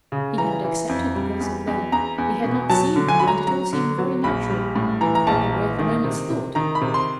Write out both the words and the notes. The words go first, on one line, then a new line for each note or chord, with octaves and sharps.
He had accepted the gossip then; he had not seen her and it all seemed very natural;--hardly worth a moment's thought.
C#3
E3 A#5
E3
F2
G3
E2
E2
E2 A#5
E2
B2
F#3 A5
D3
G#5
F#3 B5
A#5
F#3 A#5
D3
F#3
A#1 B5
G3
A2
E3 A#5
A#5
A#1 A5
E3
D#3
C3
C3
D#3 A#5
B5
C3
C6